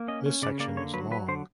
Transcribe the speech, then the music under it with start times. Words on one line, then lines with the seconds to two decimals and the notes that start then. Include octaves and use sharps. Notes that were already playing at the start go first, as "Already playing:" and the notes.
This section is long.
Already playing: A#3
0.08 C#4 D#5
0.26 C#4
0.42 C#3 D5
0.60 A#3 D5
0.77 D3 C#5
0.94 F#3 B4
1.11 F#3 B4
1.28 D3 C5